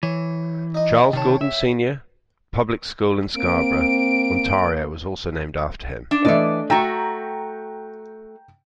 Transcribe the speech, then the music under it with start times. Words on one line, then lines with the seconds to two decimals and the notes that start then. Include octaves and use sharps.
Charles Gordon Senior Public School in Scarborough, Ontario was also named after him.
0.03 E3 C#5
0.74 D#4 D#5
1.13 C3 D#3 C#5 G5 A5
1.41 E5
3.36 A#3 C4 D7
6.11 D4
6.25 E3 A3 D4 D5 D#5
6.70 A3 F#4 G5 A#5